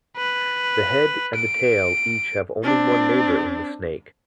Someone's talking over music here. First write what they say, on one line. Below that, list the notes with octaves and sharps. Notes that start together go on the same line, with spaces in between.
The head and the tail each have only one neighbor in the snake.
B4
D7
C4 D4